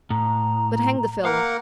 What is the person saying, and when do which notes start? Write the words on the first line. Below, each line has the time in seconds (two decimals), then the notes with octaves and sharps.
But, hang the fellow!
0.10 A2 A#5
1.25 A#3 A#4 F5 F#5